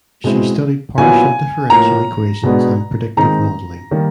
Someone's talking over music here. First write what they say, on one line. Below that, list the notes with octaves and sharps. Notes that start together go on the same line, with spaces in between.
She studied partial differential equations and predictive modelling.
B2 G#3 C4 E4
A#2 F#3 B3 E4 G#5
A2 F3 A#3 A#5
B2 G#3 B3 D4
G#2 D#3 G#3 C4 D#4 A#5
D#3 G3 A#3